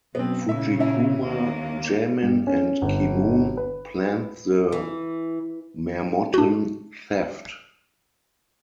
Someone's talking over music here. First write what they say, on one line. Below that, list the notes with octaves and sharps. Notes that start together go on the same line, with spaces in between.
Fujikuma, Jamin and Khimoun planned the Marmottan theft.
F#2 B2 B3 C4
A#2 C#3 E5
C#4 E4
D#2 A#3
G2
C#4
G1
B4
E3
D4 F#4